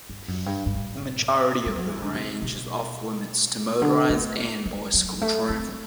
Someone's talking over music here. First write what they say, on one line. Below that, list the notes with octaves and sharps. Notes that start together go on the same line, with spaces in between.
The majority of the range is off-limits to motorized and bicycle travel.
G2
F#2
G2
G2
A2
G3
F#3
E3
D3
C3
B2
D3
A3
A3
F#3
A3
C4